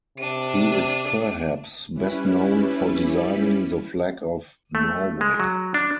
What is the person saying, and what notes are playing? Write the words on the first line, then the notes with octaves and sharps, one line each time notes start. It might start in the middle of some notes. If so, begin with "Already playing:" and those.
He is perhaps best known for designing the flag of Norway.
C3 D4 D#7
G3 C#4 E4 B4
A3
G#3
F#3
D4